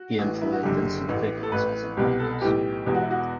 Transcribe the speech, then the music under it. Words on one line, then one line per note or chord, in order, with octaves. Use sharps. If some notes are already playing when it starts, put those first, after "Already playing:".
He employed Vincent Figgins as an apprentice.
Already playing: F#4
A1 A2 E3
E4
F#4
F#1 F#2 D3 G4
A1 A2 E3
A4
A1 A2 E3 B4
C2 B2 G4
A4
B1 A2 E3 G4
E1 E2 B2 G4
F#4
E4
F#4